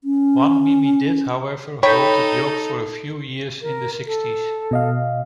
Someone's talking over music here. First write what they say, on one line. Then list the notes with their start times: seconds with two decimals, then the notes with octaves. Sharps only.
One Mimi did, however, hold the job for a few years in the sixties.
0.04 C#4
1.83 D#4 A4 C#5 G5 B5
3.62 A#4
4.06 A4
4.71 B2 D#5 F5